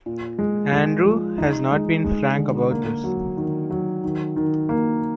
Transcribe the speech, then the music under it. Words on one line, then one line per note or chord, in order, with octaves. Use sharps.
Andrew has not been frank about this.
A#2
G#3
G#3
F3
D#4
G#3
G#3
D3
A#3
F#3
D#3
F#3
D#3
D#3
A#3